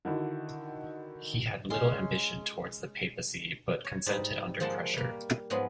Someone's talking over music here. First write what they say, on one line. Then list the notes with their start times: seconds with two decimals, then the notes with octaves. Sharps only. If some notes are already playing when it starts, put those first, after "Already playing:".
He had little ambition towards the papacy, but consented under pressure.
0.05 D3 D#3 E4 F#4
1.70 G#3 C#4 C6
3.85 C#5
4.06 G#2 G3 D#4 D5 A5
4.60 F3 G#3 A#3 F#5 A5 C6
4.93 G3 A#3
5.50 G#2 F3 F#3 G#3 B3